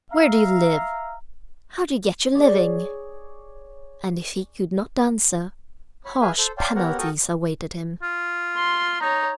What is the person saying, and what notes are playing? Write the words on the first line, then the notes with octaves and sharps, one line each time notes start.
"Where do you live? How do you get your living?" And if he could not answer, harsh penalties awaited him.
E5 F5 A#5
G#4 C#5 D5
C#5 B5
G#4 B4 E5 F5 G#5
A4 C5
C#5 D5 F5 G5 A5 C6
B3 G4 A#4 C#5 F#5
F#4 A4 A#4 G5 C#6 D#6
F4
C6
D#4 C#5 A#5